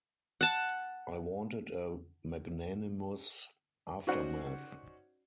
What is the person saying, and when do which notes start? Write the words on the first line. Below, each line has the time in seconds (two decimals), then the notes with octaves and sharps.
I wanted a magnanimous aftermath.
0.41 F#5 A5
4.07 C#4 D#4 F#4 C5 D5 F#5